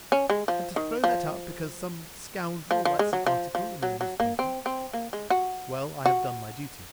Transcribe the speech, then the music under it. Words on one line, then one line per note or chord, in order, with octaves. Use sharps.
And to throw that up because some scoundrel writes an article in a newspaper! Well;--I have done my duty.
C#4
G#3
F3
D#3
F3
F3
F3
G#3
F#3
F3
F3
F#3
F#3
A#3
C4
C4
A#3
G#3
F#4
F#4